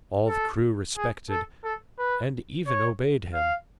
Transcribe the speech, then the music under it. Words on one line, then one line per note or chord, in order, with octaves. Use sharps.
All the crew respected and even obeyed him.
A4
G#4
A4
A4
B4
C#5
F5